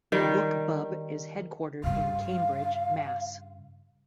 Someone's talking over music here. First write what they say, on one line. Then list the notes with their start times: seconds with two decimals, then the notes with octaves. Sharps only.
BookBub is headquartered in Cambridge, Mass.
0.12 D#3 G3
1.84 G2 C#3 F5